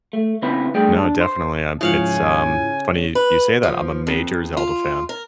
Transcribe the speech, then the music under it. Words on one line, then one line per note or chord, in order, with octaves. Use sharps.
No, definitely, um, it's um, funny you say that, I'm a major Zelda fan,
A3
C#3 B3 C4 E4 B4
G2 A3 G#4 D5 G5
D4
C5
G#2 C#3 F3 E4 F5 F#5 G#5
B4
F3
F2
F4
A#4